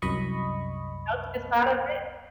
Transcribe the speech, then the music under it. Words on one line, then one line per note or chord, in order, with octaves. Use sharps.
melted inside of it.
C2 F#2 D#5 B5 C#6